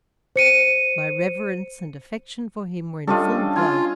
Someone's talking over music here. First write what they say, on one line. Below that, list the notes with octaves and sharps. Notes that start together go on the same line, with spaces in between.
My reverence and affection for him were in full glow.
C5 C#7 D#7
G3 C#4 D4 F4 G4 A4 D#5
F4 G#5